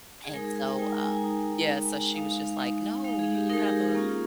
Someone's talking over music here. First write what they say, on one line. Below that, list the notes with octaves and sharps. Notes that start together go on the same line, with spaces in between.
And so, uh, yeah. So she was just like, "No. You you have a
G#4
G#3 D#4 A#4
G#4
A#4
G5
G#3 D#4 G#5
A#5
G#5
A#5
G#3 D#4
G#3 D#4
G#3 D#4 F5
G#3 D#4
G#3 D#4 F5
G#4
G4
G#3 D#4 A#4
G#4
G4
G#4
A#3 C#4 F4